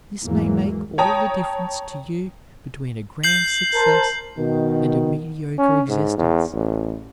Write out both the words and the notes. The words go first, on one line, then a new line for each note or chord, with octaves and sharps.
This may make all the difference to you between a grand success and a mediocre existence.
E2 G#2 E3 F#3 G#3 A#3
C#5 G5 A5 A#5 D#6
G6 C7 F#7
A#4 C5 A5
B2 D#3
C#4
G#2
E2
A1